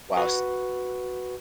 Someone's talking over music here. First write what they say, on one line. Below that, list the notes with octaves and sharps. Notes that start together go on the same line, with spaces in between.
Wow, s
F#4 B4